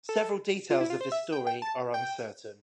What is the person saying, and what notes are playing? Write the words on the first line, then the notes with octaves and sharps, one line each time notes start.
Several details of this story are uncertain.
A4
F4
E4
F4
C5
E5
G5
G5
A5
G5